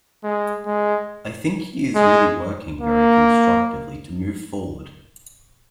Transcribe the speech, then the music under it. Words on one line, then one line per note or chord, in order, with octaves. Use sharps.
I think he is really working very constructively to move forward.
G#3
G#3
G#3
A#3